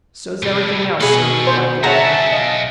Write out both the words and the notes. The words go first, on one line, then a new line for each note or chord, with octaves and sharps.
"So's everything else, sir," replied the American.
A2 C3
B2 G#4 A4 B4 C#5
C5
B1 F#4 G#4 C#5 E5 F#5 A5 A#5
D#5 F5